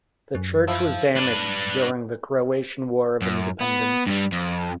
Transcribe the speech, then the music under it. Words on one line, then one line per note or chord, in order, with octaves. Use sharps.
The church was damaged during the Croatian War of Independence.
F#2
F3 E4 F4
D4 B4
F#2
B3
G2 G3
F2